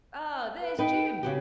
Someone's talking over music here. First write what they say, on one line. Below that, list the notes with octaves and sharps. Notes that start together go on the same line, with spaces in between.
Ah, there's Jim!
B4
D#4 B4 G5
C#3 F#4 G4